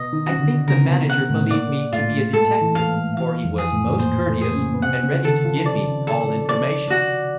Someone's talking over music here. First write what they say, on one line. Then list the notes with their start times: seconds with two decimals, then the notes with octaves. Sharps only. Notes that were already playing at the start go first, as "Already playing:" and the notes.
I think the manager believed me to be a detective, for he was most courteous, and ready to give me all information.
Already playing: B2 B3 D#5
0.12 D#3 D#4
0.26 C#4 F#4
0.40 D3 D4
0.68 C#3 C#4 A#4
0.85 C4
0.88 B2 B3
1.10 F#5
1.29 A2 A3
1.50 A#2 A#3 D5
1.93 A2 A3 F4
2.33 G#2 G#3 A4
2.61 E3
2.75 F5
2.89 E3
3.17 E3 F5
3.44 F2 F3
3.58 G#4
3.72 A2 A3
3.99 A#2 A#3 C5
4.27 A2 A3
4.41 G#4
4.54 C#3 C#4
4.74 B3
4.82 C3 C4 F#5
5.03 C#3 C#4
5.24 D#3 D#4 A4
5.44 F3 F4
5.66 D5
6.07 A4
6.49 D5
6.90 F#4